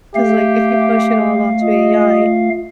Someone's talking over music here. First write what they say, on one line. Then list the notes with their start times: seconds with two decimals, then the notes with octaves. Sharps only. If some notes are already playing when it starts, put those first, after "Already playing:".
'cause like if you push it all onto AI
0.15 A3 G4 E5 F5
1.62 F4 D#5